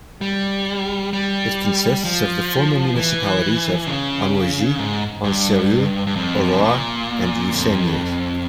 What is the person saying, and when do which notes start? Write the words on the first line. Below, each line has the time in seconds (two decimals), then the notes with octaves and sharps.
It consists of the former municipalities of Amougies, Anseroeul, Orroir and Russegnies.
0.21 G3
1.13 G3
2.05 F3
2.96 E3
3.87 C#3
4.79 G#2
5.24 G2
6.07 G2
6.16 F2
6.53 C3
6.62 A#2
7.52 F2